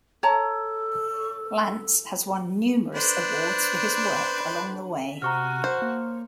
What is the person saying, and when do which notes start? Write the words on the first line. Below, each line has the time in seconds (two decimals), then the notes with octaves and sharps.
Lantz has won numerous awards for his work along the way.
0.23 A4 C#5 A5 A#5
2.95 D4 B4 C5
5.22 C3 F#4 A#5 C#6 F6
5.64 C5
5.82 A#3